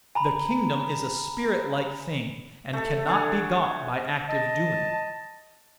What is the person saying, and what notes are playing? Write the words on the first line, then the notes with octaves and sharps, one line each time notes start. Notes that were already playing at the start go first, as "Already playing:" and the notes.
The kingdom is a spirit-like thing, and cannot be got by active doing.
G#5 A#5 B5
A3 A4
A3 D4 F#5 G#5
D#5 A5